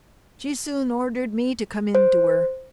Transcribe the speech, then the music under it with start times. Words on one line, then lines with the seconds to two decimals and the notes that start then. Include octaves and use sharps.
She soon ordered me to come in to her.
1.95 C5